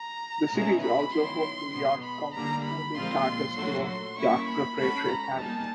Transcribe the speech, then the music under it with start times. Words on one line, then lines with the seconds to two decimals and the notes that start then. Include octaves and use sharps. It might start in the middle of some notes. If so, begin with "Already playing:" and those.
The city is also home to York County's only Charter school, York Preparatory Academy.
Already playing: A#5
0.53 B2 G#3 C#4 E4 G#4
0.82 B5
1.13 D#3 F#3 B3 E4 C6
1.74 B2 G#3 B3
2.04 B5
2.34 D3 G3 A#3 D4 A#5
2.65 B5
2.95 A#2 F3 G#3 C4 F4 C6
3.56 A#2 F#3 A3 D4 F#4
3.87 C6
4.16 G3 A#3 C#4 E4 C#6
4.47 B5
4.77 G#3 C#4 F#4 A4 B5
5.08 A#5
5.38 G3 A#3 D#4 G#4 A5